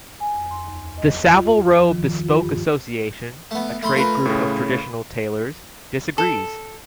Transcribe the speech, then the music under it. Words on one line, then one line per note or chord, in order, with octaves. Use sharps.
The Savile Row Bespoke Association, a trade group of traditional tailors, disagrees.
G#5
F2
C6
D#2
D#5
F4
F3
D#3
F4
G2
A3 B3
A3 B5 C6
A3 F4 A#4 B4
A2 C#3
A4